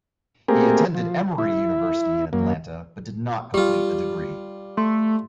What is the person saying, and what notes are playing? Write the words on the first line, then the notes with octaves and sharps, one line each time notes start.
He attended Emory University in Atlanta but did not complete a degree.
A3 A#3 C4 G4 G#4 A#4
F3
E4
F#2 A#3
G3 F4 G4
A3 C6